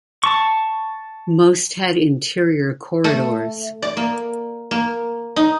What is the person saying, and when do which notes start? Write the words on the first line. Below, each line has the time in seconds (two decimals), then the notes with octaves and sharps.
Most had interior corridors.
0.24 A5 C#6
3.04 A3
3.82 D5
3.97 A#3
4.71 A#3
5.36 D#4